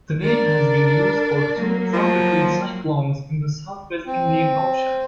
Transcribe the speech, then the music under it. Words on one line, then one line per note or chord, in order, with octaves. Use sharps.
The name has been used for two tropical cyclones in the Southwest Indian Ocean.
D4 A#4 D5
F#3 A#3
F3
C4